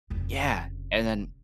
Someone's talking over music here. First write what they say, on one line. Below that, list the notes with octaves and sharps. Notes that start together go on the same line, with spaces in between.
Yeah, and then
F1 C#3